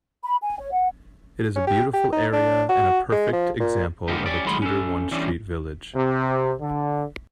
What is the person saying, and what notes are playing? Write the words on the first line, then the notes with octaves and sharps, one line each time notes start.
It is a beautiful area and a perfect example of a Tudor one-street village.
B5
G#5
C#5
F#5
C#4
G4
G4
D#4
D4
F#4
G#3
F3
A#2
G#2 D3 A#3 D#4 G4
C#4 G4 D5
A2 D#3 F#3 G#3 B5 C6
C#4 A4
E3 G3 C#4 D4
C3
D3